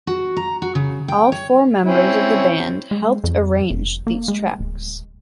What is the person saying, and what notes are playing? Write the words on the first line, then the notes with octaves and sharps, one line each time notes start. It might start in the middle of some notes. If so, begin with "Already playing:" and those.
All four members of the band helped arrange these tracks.
F#4
A#5
F#4
C#3
G5
C#5
C4 C#4 E4
G#3
F2
F1
A#3
G#3
D1